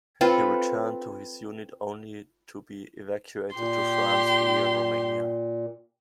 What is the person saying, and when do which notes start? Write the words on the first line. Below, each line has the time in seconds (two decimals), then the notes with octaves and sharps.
He returned to his unit only to be evacuated to France via Romania.
0.21 C4 F4 A4 B4
3.56 A#2 G4 C6